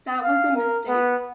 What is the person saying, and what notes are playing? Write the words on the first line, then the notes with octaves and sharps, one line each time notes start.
That was a mistake.
F5
A#4
B3